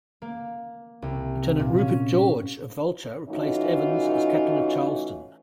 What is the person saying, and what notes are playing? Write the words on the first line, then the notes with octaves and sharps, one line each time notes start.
Lieutenant Rupert George of "Vulture" replaced Evans as captain of "Charlestown".
A#3
C2
A#2
C#4
E3 A3 C#4 D#4 F4 F#4